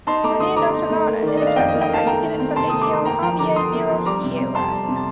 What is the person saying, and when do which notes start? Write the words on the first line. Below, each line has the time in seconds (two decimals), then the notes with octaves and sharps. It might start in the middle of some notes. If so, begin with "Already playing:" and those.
Fernando Solana, an exceptional Mexican and Fundación Javier Barros Sierra.
0.07 D#4 A5 C6
0.24 A3 A#5 D6
0.40 D3 C6 D#6
0.56 D3 A#5 D6
0.74 D#4
0.90 A3
1.06 A#3
1.23 D#3 D5
1.37 D4 D#5
1.47 F5
1.56 F2 D#5 G5
1.68 D#5
1.73 A#3
1.81 D#5 G5
1.89 D#3 F5 A5
2.06 A3 G5 A#5
2.23 D#3
2.40 C4
2.56 C3 A5 C6
2.70 A3 D#6
2.82 D6
2.90 D#3 C6
3.05 A#3 G5 A#5
3.22 F3 G5 A#5
3.39 D3 A#5 D6
3.56 D3 C6 D#6
3.72 A#3
3.89 F3
4.06 G3 A#5 D6
4.23 C3
4.38 C4
4.55 F2 A5 C6
4.71 G3
4.89 C3
4.96 A5